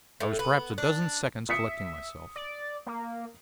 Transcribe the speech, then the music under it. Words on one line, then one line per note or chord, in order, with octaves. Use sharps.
I was perhaps a dozen seconds collecting myself.
A2
B3
D4
E5 D#6 B6 C#7
D5
A#3